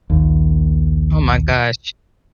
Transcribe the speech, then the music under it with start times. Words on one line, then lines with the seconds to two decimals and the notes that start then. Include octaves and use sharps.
Oh my gosh.
0.10 A#1 D#2